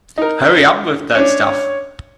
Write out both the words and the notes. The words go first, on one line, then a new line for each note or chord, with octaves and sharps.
Hurry up with that stuff.
D#4 A#4
C#4 D4 C#5